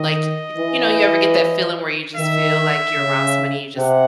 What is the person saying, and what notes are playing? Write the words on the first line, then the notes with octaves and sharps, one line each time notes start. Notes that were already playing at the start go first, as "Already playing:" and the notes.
like y you know, you ever get that feeling where you just feel like you're around somebody and you just
Already playing: D#3 D#5
E3
D#3 E5
C#3
C3 F#5